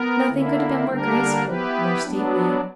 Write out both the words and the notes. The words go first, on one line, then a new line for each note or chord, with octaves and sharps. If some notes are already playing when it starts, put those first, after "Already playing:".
Nothing could have been more graceful, more stately.
Already playing: B3 A#4
D3 A#3 E4
D3 G3 A#3 D4 A#4
B3 E4 G4 B4
F#3 B3 D4